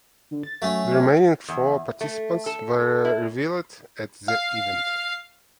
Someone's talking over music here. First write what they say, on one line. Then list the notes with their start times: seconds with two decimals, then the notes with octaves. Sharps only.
The remaining four participants were revealed at the event.
0.31 D3
0.43 A6
0.62 F#3 A3 C#4
1.49 E2
2.01 A3
2.46 A4
3.05 E4
4.28 F5